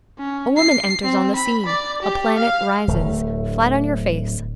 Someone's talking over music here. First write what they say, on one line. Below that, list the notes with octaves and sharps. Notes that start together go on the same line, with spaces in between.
A woman enters on the scene, a planet rises; flat on your face!
C#4
C7
C4
B5
D5
G4
F5
D1 A3